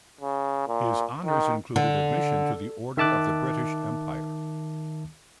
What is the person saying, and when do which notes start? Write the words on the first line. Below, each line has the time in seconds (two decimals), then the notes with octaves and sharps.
His honors included admission to the Order of the British Empire.
0.21 C#3
0.68 A#2
1.26 D#3
1.76 D3
2.97 D#3 E5 A5 D6 F#6